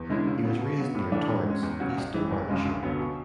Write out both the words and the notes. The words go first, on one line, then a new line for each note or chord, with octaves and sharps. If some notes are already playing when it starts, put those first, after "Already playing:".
He was raised near Torrance, East Dunbartonshire.
Already playing: E2
D3 G#3 C#4 E4
C#3
F#3 B3 F#4
B2
F#3 B3
A2
E3 A3 D4
G#2
G#3 C#4
E2
C#3 F#3 C#4 F#4
A1
G#2 E3
F#1
F#2 C#3 G#3
D2
D3 F#3 B3
B2